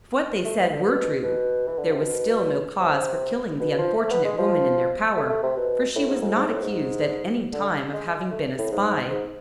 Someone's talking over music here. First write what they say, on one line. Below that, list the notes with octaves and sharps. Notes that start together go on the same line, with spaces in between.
If what they said were true, there was still no cause for killing the unfortunate woman in their power, for she was not accused at any time of having been a spy.
A3
E3
D3
B2
B2
E3
D3
C3
B2
C3
B2
F3
A3
B3
G#3
F3
A3
A3
C3
B2
A2
G#2
F2
G#2
A2
G#2
D3
G#3
A3
A2
G#2
G#2